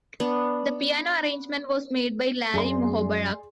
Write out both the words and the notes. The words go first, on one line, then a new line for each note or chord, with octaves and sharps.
The piano arrangement was made by Larry Muhoberac.
B3 D4
F#2 G#4 D5 C6